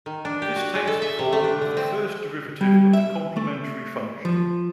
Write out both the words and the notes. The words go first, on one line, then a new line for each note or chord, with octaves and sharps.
This takes the form of the first derivative of the complementary function.
D#3
D4
G4
F#4
G#3
A4
E5
C3
A3
D4
D3
C4
G3
E5
A3
F3